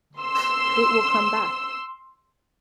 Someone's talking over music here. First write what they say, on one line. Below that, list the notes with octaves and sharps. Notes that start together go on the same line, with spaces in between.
It will come back.
C6 E6